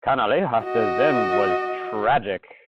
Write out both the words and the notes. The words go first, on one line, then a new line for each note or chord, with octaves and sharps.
Canalejas's end was tragic.
F#4 D#5